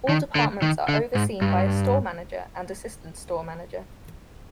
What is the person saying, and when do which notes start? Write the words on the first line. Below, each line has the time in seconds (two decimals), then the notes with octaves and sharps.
All departments are overseen by a Store Manager and Assistant Store Manager.
0.09 D#3
0.35 D3
0.62 D#3
0.88 D3
1.15 G#2
1.42 G2